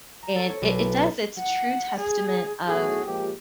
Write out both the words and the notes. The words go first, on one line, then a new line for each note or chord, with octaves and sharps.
And it it does, it's a true testament of
A#5
A4
C#5
B1
E4
A5
F#5
G#4
B1 A2 A3 F#4 G#4
A#2 F3 G#3 G4